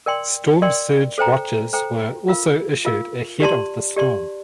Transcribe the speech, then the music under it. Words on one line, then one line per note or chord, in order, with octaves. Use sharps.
Storm Surge Watches were also issued ahead of the storm.
A#4 D5 G5 C6
A#4 D5 G5 C6
A4 C5 G5 A#5
A4 C5 G5 A#5
F4 A#4 F5
F4 A#4 F5
G4 D5 A5 C6
G4 D5 A5 C6